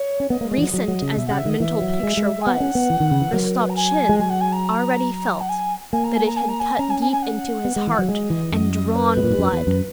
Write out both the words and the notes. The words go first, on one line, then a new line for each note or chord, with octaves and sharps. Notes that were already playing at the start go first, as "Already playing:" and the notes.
Recent as that mental picture was, Rostopchin already felt that it had cut deep into his heart and drawn blood.
Already playing: C#5
C#4
B3 D#5
A#3
G#3
E3
F#3
F#3
F#3
C#3
B2 E5
C#3 F#5
E5
D#3 D#5
E3 E5
F#3
G#3
G#3
G#5
B3 F#5
C#4
B3
E3
D#3
C#3
E3
F#3 A#4
B4
A#5
G#5
G#3
F#3 G#5
F#5
G#5
A#5
F#5
G#5
A#3 G#5
A#5
G#5
A#5
G#5
A#5
G#5
C#4 A#5
G#5
G#5
G#5
F#5
B3
G#3
E3
F#3
G#3 D#5
E3
F#2
B4
B2
A#2
G#2
F#2
E2
F#2